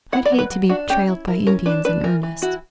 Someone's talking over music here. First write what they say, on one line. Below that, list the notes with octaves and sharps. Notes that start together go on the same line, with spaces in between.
I'd hate to be trailed by Indians in earnest.
E4 F#5
D5
F#3
B4
F#3
D4 F#4
C#4 G4
E4
E4 A#4
C#4 A#4
D4 B4
D4 B4
E3 A#4
E3
E4 F#4